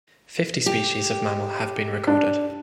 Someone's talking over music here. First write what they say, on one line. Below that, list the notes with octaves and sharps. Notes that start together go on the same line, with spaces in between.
Fifty species of mammal have been recorded.
G4
D4